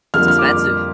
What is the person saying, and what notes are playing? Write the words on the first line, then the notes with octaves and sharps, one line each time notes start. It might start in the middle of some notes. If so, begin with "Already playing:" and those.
It's expensive.
F2 D3 G3 A#3 F4 F6
F6
D6